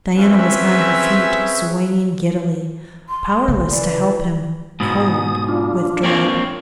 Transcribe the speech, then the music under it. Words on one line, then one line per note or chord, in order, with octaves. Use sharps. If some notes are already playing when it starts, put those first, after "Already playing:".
Diana was on her feet, swaying giddily, powerless to help him, cold with dread.
C4 C#4 G#4 B4 E5
C6
C#3
E3 D5
G#2 B2 D#6
D4 F4
A#3 C4 C#5